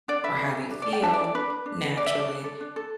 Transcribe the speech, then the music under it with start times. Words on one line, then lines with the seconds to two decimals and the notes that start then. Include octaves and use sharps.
or how they feel, naturally.
0.08 D4 D5
0.24 A4 B4 E5
0.39 D4
0.55 A4
0.71 D4
0.82 D5
0.87 A4
0.92 D5 G5
1.02 D4 E5 A5
1.14 D5
1.19 A4
1.24 D5
1.34 D4 B4
1.50 B4
1.66 D4
1.82 B4
1.97 D4 D5
2.06 E5
2.13 A4 D5
2.29 D4
2.44 A4
2.61 D4
2.76 A4